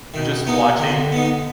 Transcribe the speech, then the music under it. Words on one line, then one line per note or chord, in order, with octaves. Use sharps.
They're just watching
B2 D#3
C3 B3 D#4
D3 D#3
B3 D#4